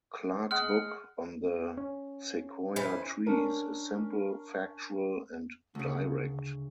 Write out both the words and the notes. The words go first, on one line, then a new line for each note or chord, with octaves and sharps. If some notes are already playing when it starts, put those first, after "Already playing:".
Clark's book on the sequoia trees is simple, factual, and direct.
G#3 F#5 F6
C#4
F2 E3 C5
C#4 D4 A#4
D2 C#3